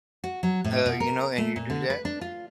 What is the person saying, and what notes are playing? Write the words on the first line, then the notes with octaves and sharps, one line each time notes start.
uh, you know, and you do that,
F#4
F#3
A2
B2
A#4
A3
A#2
D3
B4
D4
F4